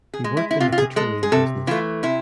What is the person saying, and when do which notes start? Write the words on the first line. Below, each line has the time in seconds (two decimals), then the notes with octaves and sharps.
He worked in the petroleum business.
0.14 G#4
0.24 G#3
0.37 E4
0.51 E4
0.60 C3 F4
0.72 F4
0.78 G#4
0.96 G#3 A4
1.23 G#4
1.32 C3 A4
1.67 E3 A3 F4
2.03 C3 E4